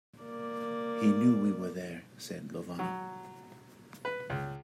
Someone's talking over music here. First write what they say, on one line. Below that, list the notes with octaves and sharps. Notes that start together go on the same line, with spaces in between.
"He knew we were there," said Lovano.
A#3 D5
F#3
B4
C#2